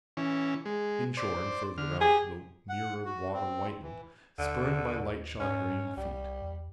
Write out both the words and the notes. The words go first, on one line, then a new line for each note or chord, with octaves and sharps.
Inshore and farther out the mirror of water whitened, spurned by lightshod hurrying feet.
E3 C#4
G#3
C5 D5
D3 F6
G4 G#4
F#5
F#4
C4
E3
D#2 D3
G#2 C#4
C2 G3
E2